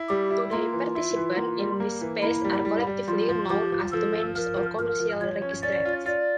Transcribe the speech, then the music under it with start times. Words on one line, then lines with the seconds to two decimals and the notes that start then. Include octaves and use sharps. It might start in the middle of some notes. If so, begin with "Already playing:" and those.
Today participants in this space are collectively known as domainers or 'commercial registrants'.
Already playing: E4
0.09 G3 G4
0.30 E4
0.52 A#3 F4
0.73 E3
0.95 E4
1.16 E3
1.37 A#3
1.59 G3
1.80 A#3
2.01 E3
2.23 A#3 E4
2.44 G3
2.65 G3
2.87 G3
3.08 F3 F4
3.29 F3
3.50 F3 G4
3.72 F3
3.92 F3 A4
4.14 F4
4.35 F3 A#4
4.57 F3
4.78 F3 A#4
4.99 F3
5.20 F3 C#5
5.42 C#4
5.63 C#4 D5
5.85 F4
6.06 F4 D5